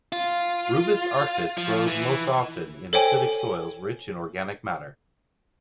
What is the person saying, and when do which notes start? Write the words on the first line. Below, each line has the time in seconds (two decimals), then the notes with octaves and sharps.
"Rubus arcticus" grows most often in acidic soils rich in organic matter.
0.12 F4
1.58 F3
1.87 E3
2.93 A4 C5 C#5 G5 G#5